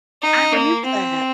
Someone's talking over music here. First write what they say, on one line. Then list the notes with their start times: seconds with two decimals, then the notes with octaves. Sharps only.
I remember that.
0.22 D#4
0.53 A#3
0.85 C4